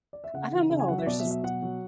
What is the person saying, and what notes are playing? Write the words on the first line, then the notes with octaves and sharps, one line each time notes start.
I don't know, there's just
D5
E5
C#3 F#5
E3
C#3 E5
G#5
F#3 F#5
E5
B2 D5
E5
F#3
E5
B2 F#5
F#3